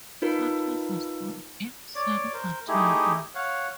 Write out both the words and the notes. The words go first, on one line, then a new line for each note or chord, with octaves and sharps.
Santos was born in San Antonio.
D#4 F4 A#4 B4
C#5 D5 D6
A#4 C5
A3 D#4 E4 G4 G#4
C#5 F5 F#5